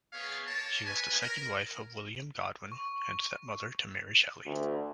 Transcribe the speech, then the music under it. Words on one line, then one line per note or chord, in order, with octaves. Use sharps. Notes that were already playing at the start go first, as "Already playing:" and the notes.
She was the second wife of William Godwin and stepmother to Mary Shelley.
B3 G#4 C#5 F5
A#3 C#5 A5
B4 C#5 G#5
A#4
C#6
D2